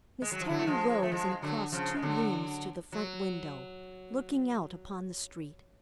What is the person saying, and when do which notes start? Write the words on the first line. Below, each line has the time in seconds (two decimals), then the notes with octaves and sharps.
Miss Terry rose and crossed two rooms to the front window, looking out upon the street.
0.22 G#3
0.32 F#3
0.41 F3
0.49 D3 F#3
0.58 A3
0.67 F3 G#3
1.03 A3
1.12 F3 G#3
1.32 G#3
1.42 D3 F#3
1.72 C#3 F3
1.97 G#3
2.02 D3 F#3
2.93 F#3